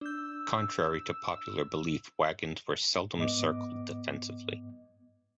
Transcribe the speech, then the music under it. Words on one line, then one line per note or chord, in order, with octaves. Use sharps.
Contrary to popular belief, wagons were seldom circled defensively.
D4 E6 G6
G#2 B3 D#5 D6